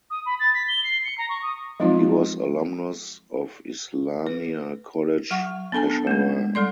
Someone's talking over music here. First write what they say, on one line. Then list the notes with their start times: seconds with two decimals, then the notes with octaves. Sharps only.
He was alumnus of Islamia College Peshawar.
0.10 D#6
0.26 B5
0.39 A6
0.54 B6
0.68 G7
0.84 C7
1.05 C#7
1.18 A#5
1.29 C#6
1.42 D#6
1.80 F3 F#3 G#3 C4 D#4 F4
4.27 B4
5.31 F#3 F#5 C#6
5.72 B3 D4 A4 G#5 A5
6.07 G#3 A3
6.55 G3 A4 D5 C6